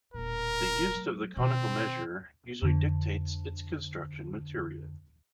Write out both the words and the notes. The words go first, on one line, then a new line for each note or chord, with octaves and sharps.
The use of the conical measure usually dictates its construction material.
E1 A#2 A#4
F#3 A3
B2 D#3 C4
F2 D3